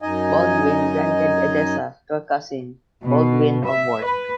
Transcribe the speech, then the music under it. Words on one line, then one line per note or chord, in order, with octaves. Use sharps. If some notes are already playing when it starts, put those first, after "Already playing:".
Baldwin granted Edessa to a cousin, Baldwin of Bourcq.
F#2 D#4 D#5 G#5
B2
E5
B4